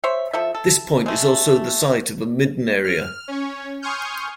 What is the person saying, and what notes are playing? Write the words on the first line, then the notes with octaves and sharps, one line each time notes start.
This point is also the site of a midden area.
C5 C#5 E5
F3 A4 E5
A4
G#3 A3
F6
C#4 C#5
G#5 C6 C#6 D#6 F6 G6